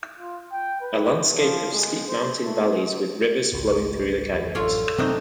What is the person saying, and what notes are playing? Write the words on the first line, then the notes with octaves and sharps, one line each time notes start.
A Landscape of steep mountain valleys with rivers flowing through the canyons.
F4
G5
B4
F3
G#3
C5
A3
G#1 C#2
E2
A1 F#2 F4 A4 C#5 D5
C3 F#3 A3 A#3 C4 D4 D#4